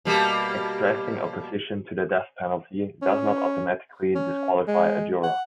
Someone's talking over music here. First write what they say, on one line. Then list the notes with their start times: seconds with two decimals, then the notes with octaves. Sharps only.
Expressing opposition to the death penalty does not automatically disqualify a juror.
0.05 B2 G3 A#3
3.02 C#4
4.15 C#4
4.68 G#3
5.23 F#5